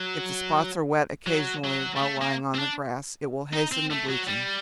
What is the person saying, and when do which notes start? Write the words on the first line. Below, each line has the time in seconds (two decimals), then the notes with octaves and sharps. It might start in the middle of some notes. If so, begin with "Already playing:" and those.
If the spots are wet occasionally while lying on the grass, it will hasten the bleaching.
Already playing: F#3
1.27 F#3
1.65 F#3
1.97 G3
2.02 A3
2.21 A#3
2.54 C4
2.59 D4
3.53 D#4
3.72 C4
3.91 A3
4.10 F#3
4.29 G3